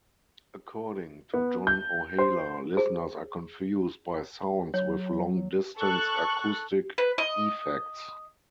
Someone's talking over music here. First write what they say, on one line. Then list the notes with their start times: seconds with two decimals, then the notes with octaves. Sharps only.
According to John Ohala, listeners are confused by sounds with long-distance acoustic effects.
1.34 B3
1.67 G6
2.19 C5
2.77 G#4 C5
4.74 F#3 C#5
5.77 A4 C#6 F#6
6.98 B4
7.18 D#5